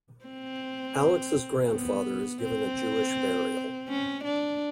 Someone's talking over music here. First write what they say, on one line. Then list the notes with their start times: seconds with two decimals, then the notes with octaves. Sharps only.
Alex's grandfather is given a Jewish burial.
0.25 C4
1.70 B3
2.43 C4
3.88 C#4
4.24 D4